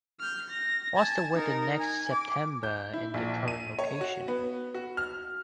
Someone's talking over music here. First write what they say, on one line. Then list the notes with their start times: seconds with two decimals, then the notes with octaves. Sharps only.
What's the weather next september in the current location?
0.20 F6 G6
0.50 A#6
0.96 G#5 A5
1.33 D#4 A#4
1.80 G#5
2.13 D6
2.63 G6
2.93 E4
3.14 A#1
3.48 D#7
3.79 C#5
4.01 F#4
4.28 B3
4.74 F#4
4.97 F6